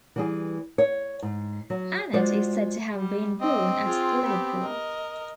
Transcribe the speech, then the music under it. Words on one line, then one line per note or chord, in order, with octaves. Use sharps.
Annet is said to have been born at Liverpool.
E3 G3 G#4
C#5
G#2
F#3
G#3 F4 F#4 C5 D5
G3
C4 D4 D#5
F4 G#4
B3 G4
A#4 D#5